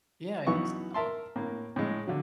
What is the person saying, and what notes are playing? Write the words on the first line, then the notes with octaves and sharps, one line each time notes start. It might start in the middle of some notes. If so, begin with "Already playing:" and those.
Yeah, I guess so.
F#2 E3 B3 D#4 C#6
A#4 E5 A5 C6
A2 A#3
A2 G#3
D3 F#3